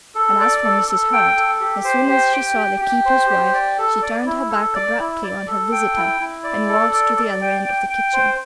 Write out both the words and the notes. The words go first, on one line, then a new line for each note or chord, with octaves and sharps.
And as for Mrs. Hurd, as soon as she saw the keeper's wife, she turned her back abruptly on her visitor, and walked to the other end of the kitchen.
A4
D5
A4
A4
G5
A4
G4
C5
G4
G5
G4
G4
C5
G4
D5
A4
D5
E4
A4
D5
E4
D5
A4
G5
E4
E4
D5
A4
D5
D5
G5
G5
G5
C5